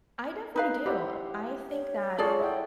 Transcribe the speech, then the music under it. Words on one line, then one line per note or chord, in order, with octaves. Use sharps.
I definitely do. I think that,
D#4 B4 F5
E4 G4 C5 F#5
C#5
G#3 F4 G#4 A4 D5 C#6
E4 F#5 G5